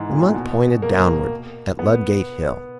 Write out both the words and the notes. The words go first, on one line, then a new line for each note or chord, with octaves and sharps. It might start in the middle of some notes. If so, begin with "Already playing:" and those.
The monk pointed downward at Ludgate Hill.
Already playing: G#2 E3
A#2
B2
A#3
B3